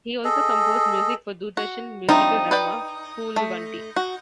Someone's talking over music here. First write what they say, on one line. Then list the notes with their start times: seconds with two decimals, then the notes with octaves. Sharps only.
He also composed music for Doordarshan musical drama "Phoolwanti".
0.24 G#4 A4 D#5
1.57 F#4
2.09 F3 G3 C4 D#4
2.51 B4 D5 G5
3.36 A3
3.96 F#4